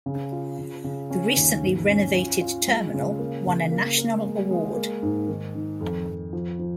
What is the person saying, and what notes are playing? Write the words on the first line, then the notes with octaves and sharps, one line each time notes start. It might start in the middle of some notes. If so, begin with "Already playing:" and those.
The recently renovated terminal won a national award.
C#3
F4
C#3
C#3
C#4
D#2
G#2
C#4
F4
F4
G#3
C#3
A#3
C#3
A#3
A#4
G#3
G#3
A#3
G#2
D#3
D#3
F2
F2
F3
F3